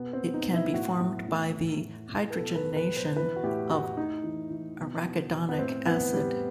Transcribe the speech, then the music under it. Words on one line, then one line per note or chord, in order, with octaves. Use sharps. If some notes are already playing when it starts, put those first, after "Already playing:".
It can be formed by the hydrogenation of arachidonic acid.
Already playing: B2 B3
C4
B2
D#4
B2
E4
A2 F#4
A2
A2
E3
A2
A2
B4
B2 A4
B4
B2
B4
B2
C5
E3 B4
F#4
A2 G4
A2 F#4
A2 D#4
E3
E3
B2
B2
B2
B3
A2 C4
E3 B3
A2 G3